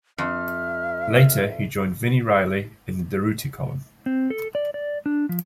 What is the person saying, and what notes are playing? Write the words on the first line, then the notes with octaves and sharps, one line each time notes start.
Later, he joined Vini Reilly in the Durutti Column.
F2 E5 F6
C4
A4
D5
D5
D4
F3